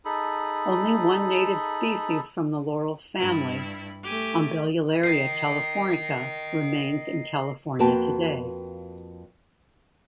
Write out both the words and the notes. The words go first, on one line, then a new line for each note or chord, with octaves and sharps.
Only one native species from the laurel family, "Umbellularia californica", remains in California today.
D#4 G#4 A4 B5
G2 E4 B5
A3 G4 G#5
A#4 D#5 C7
F2 A#3 F#4 B4 G5 A5